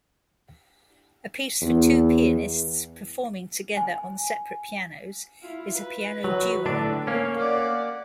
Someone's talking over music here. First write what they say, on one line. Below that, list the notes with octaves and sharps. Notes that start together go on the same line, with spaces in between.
A piece for two pianists performing together on separate pianos is a "piano duo".
E2
G#5
E4 F4
B4
F#3
A2 D3 D4
A#3 C#4 F5 C#6
D5 F#5